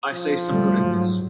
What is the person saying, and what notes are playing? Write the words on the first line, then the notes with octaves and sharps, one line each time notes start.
I see some good in this.
F3
D3 G3 A3
G#2 F#3